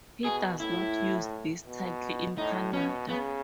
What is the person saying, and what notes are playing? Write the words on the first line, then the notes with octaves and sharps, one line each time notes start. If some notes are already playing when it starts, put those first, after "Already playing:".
He does not use this title in Canada.
B2 G#4
A2 E4
B2
A2 D#4
B2 C#4
C#3 B3